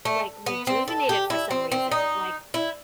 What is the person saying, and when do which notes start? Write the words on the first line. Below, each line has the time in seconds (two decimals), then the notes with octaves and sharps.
Like rejuvenated for some reason. Like,
0.05 A3
0.46 B3
0.67 C4
0.88 A4
1.09 G4
1.30 E4
1.51 C4
1.72 C4
1.92 D#4
2.54 E4